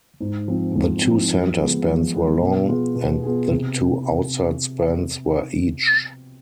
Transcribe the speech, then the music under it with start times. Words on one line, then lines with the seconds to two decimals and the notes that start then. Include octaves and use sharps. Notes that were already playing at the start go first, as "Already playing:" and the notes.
The two center spans were long, and the two outside spans were each.
0.20 G#2
0.48 F3 C4
0.76 G#2
1.03 F3 C4
1.30 F3
1.59 G#3 B3
1.86 F3
2.14 G#3 B3
2.41 B2
2.68 B3 F4 G#4
2.95 B2
3.23 B3 F4 G#4
3.51 C3